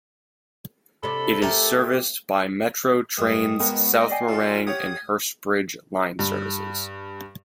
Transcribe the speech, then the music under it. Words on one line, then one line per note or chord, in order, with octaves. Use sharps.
It is serviced by Metro Trains' South Morang and Hurstbridge line services.
C3 D4 A4 B5
A3 G4 A#4 G#5
G2 D#3 G#3 D#6
B2 G#3 B3 F#4 A#4 B4 G5
A#4 D#5 E5 G5
D5 G5 G#5 C7
F4 F#4 A4
G4 C#5 F5 F#5 D#6 G#6
G2